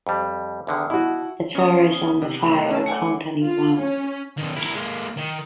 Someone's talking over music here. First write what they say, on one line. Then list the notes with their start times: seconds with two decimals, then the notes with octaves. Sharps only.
The fair is on the Fire Company grounds.
0.07 F2 G3
0.67 E2 D3 D#3
0.90 B2 E4 F#4
1.55 B3 C#4 C#6 D#6
2.22 C3
2.42 F#3 A3 G#4
2.71 C#4 A5
2.86 F#5 G#5 D6 C#7
3.42 F4
3.79 C#4
4.38 B1 D#3
4.57 E4 A#4
4.74 G#3 A#3
5.17 D#3